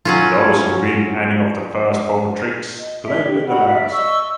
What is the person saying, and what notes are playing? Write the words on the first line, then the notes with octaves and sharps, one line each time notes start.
Those who win any of the first four tricks play to the last.
F#3 C#4 F4
D#5
D#5 E5
G4
F#4 F#5 B5
D5 E5
D#5 C#6 E6